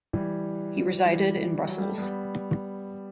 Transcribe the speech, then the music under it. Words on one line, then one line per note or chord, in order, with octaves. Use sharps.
He resided in Brussels.
E3 G3
E3 G3
E3
F#3
G3
A3
G3 B3